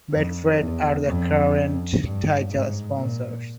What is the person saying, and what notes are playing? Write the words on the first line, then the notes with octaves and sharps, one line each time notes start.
Betfred are the current title sponsors.
F2
E2
F2
G2
G#2
A#2